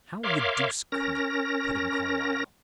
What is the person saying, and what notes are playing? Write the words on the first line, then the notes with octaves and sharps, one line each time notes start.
"How the deuce could you?" put in Carlyle.
A#4 C#5 E5 F5 C6 D6
C#4 A#4 A#6